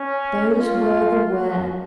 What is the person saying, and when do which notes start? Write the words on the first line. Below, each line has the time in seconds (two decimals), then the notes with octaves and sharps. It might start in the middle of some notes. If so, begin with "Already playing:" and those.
Those were the words!
Already playing: C#4
0.59 F4
1.30 F#4